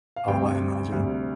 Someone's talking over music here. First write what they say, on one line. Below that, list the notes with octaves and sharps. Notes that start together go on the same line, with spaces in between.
Oh, I imagine.
F5
D2 C3 G3 G5
D2 C3 G3